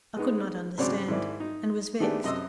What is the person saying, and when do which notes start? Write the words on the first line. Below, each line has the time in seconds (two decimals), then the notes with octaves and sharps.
I could not understand, and was vexed.
0.17 G#3 B3 D#4
0.78 G#1 C#3 F#3 C4 C#5 D5
1.08 G#2 D#3 E4 D5
1.40 D#4
2.00 D#3 A3 B3 D4 G4 G#4
2.24 F#2 C3 D#5 C6 E6